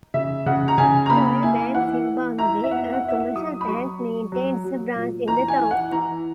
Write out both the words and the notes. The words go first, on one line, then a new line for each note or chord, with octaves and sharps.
Royal Bank Zimbabwe, a commercial bank, maintains a branch in the town.
C#3 E5
C#3 F#5
A#5
C#3 G#5
A#5
A#3 B5
E4 G#5
E3 F#5
E3
E4 A#5
E5
B3 F#5
F#5
E4
E5
F#5
F#3 D#6
B5
F#3 C#6
F#3
F#3
F#3
A#2
E3 A#5
G#5
E3
F#5
E3 A#5